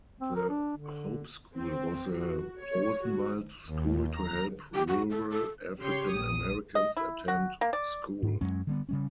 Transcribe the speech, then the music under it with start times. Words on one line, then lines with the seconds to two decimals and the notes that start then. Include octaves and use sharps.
The Hope School was a Rosenwald School to help rural African-Americans attend school.
0.21 C4
0.36 A#4
0.49 D4
0.77 D3
1.55 C4
2.14 F#4
2.61 C#5
3.00 F#4
3.65 D#2
4.10 A#5
4.74 G4
4.88 F#4
5.10 A4
5.30 A4
5.80 C#3 G4 C#5 C6
6.11 A#1 D#6
6.75 D#5
6.97 E4
7.28 F#4
7.61 A#3
7.73 D5
8.22 G#2
8.41 F#2 F#3 G#3 C#4
8.67 D3 G3 B3
8.89 C#3 G3 C#4